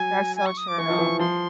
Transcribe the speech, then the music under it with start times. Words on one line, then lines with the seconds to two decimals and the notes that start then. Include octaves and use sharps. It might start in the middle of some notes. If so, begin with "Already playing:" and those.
That's so true.
Already playing: F#3 G#5
0.36 G#5
0.45 C#6
0.57 D#6
0.67 D6
0.78 E3 C#6
0.90 F3
0.99 E3
1.19 F3 C6